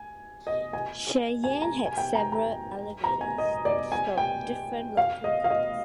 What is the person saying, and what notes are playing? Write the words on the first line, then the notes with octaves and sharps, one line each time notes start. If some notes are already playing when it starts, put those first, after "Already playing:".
Sheyenne had several elevators that stored different local goods.
Already playing: G#5
D#5
G#5
G#5
A#5
G#5
G5
A#5
A#5
A#5
G#5
D#5
D5
G#5
G5
F5
D#5
F5
D#5